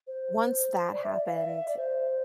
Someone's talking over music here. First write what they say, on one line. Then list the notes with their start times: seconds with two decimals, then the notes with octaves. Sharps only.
once that happened,
0.07 C5
0.92 D5
1.04 E5
1.13 D5
1.26 F5
1.35 E5
1.68 D5
1.77 C5